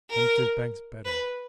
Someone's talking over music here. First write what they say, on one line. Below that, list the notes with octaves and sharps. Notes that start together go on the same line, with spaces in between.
"Dempster's Bank's better."
A#4
B4